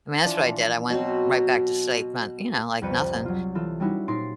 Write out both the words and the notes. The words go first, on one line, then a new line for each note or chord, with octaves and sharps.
I mean, that's what I did. I went right back to sleep and, you know, like nothing.
E3 F3 D4
B2 F#3 C4
C2 F2 B4 G6 C#7 D#7
F#3 F4
E3 F4 A4
G3 C#4 D#4 E4 F#4
A#2 D#4 C6 A6 C7 D7